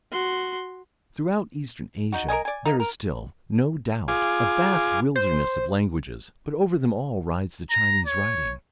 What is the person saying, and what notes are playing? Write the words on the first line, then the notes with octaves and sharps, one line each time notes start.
Throughout Eastern Asia there is still, no doubt, a vast wilderness of languages, but over them all rides the Chinese writing.
F#4 C6
D#4 F#4
A#4 C#5 D#5 G#5
D5 G#5
A#3 D#4
A#4
F4 G#4 D6
C5
A#5
C#5